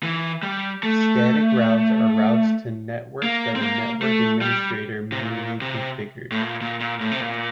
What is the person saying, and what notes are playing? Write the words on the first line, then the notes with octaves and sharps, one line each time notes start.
Static routes are routes to networks that a network administrator manually configured.
E3
G3
A3
A#3
C4
A#3
A3
G3
C3
A#2
C3
A2
A#2
A#2
A#2
A2
C3
A#2